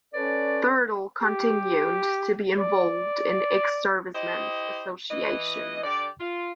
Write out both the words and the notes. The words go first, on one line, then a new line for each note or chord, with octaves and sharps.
Thurtle continued to be involved in ex-servicemen's associations.
C#4 A4 B4 C#5 D5
G4
D5
E4 G4 C5 D#5
E3 D#5
D3 G4 D5
F4